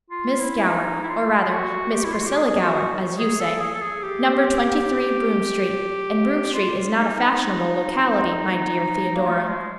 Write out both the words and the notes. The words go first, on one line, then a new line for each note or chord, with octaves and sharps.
"Miss Gower, or rather Miss Priscilla Gower, as you say. Number twenty-three, Broome street; and Broome street is not a fashionable locality, my dear Theodora."
F4
E4
E4
D#4
E4
F4
F4
F#4
G4
E4
F4
F#4
G4
G#4
F#4
G#4
A4
G#4
A4
G#4
G4
F4
D#4
D#4
A#3
A3
G#3